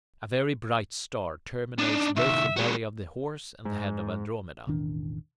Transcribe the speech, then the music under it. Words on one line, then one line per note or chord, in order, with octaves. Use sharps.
A very bright star terminates both the belly of the Horse and the head of Andromeda.
D4 D#4
C2 D#3 E5
G#3 F#4
G#2
E1 A1 D#3 D4